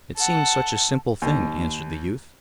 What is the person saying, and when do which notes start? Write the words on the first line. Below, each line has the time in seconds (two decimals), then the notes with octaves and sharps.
"It seems such a simple thing," answered the youth.
0.17 A4 F#5
1.22 D#2